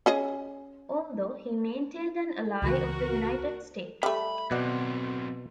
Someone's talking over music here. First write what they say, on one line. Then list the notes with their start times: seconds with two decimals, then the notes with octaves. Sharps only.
Although, he maintained an ally of the United States.
0.06 C#4 G#4 D#5
2.62 C#2 C#3 E3 F#4 A#4
4.03 G3 A3 B5
4.51 B2 F#3 C4 D5 F#5